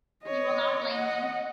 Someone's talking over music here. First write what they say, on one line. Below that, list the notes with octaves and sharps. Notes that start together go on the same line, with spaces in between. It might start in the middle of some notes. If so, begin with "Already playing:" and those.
You will not blame me.
C#5 D#5
D#5 F#5